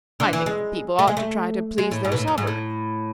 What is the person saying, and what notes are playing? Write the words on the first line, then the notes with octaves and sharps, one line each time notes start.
"I think the people ought to try to please their sovereign."
D3
E3
G#3
A3
G#3
A3
G#3
A2
G#2
B2
A2
F#2
G#2
A2